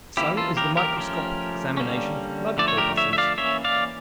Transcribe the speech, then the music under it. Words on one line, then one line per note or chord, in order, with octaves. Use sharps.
So is the microscopic examination for blood corpuscles.
E3 A#3 C#4 E4 G4
F4 A4
G4 A#4
G4 A#4
F3 A3 C#4
D3 G3 A#3 C#4
D3 F3 A3 D5
C#5
G4 A#4
C#5 E5
E5
D5 F5
E3 A#3 C#4 C#5 E5
D5 F5